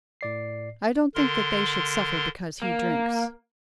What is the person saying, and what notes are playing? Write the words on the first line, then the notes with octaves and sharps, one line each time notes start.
"I don't think they should suffer because he drinks."
A2 D5 C7
D3 A#4 C6
A#3